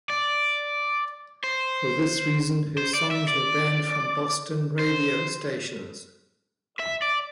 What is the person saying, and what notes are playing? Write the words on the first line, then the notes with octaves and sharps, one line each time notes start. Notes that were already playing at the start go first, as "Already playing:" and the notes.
For this reason, her songs were banned from Boston radio stations.
D5
C5
C5
D5
E5
D5
C5
E5
D5